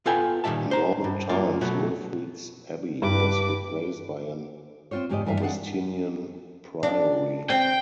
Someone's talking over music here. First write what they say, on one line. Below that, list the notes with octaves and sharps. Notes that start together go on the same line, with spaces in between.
In Norman times Wilfrid's abbey was replaced by an Augustinian priory.
B3 F4 A4 B4 G5 G#5
A#2 D#3 E3 G3 E5 A5
C5 A#5
G2
F#2 A#3 F4 D5
B2 F#3 A3
G2 B4 D6
C4 D4 F4 C5 C#5
E2 G#2 C#3 G4 C5 D#5
G2 E3 A#4 E5 F5
C4 D4 G#4 F5 F#5
D4
C4 G5